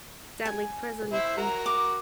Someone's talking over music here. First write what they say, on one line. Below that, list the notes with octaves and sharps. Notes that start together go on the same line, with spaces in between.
deadly prison is in
G#5
E4 C5 E5
F#4 A#4 A#5
D6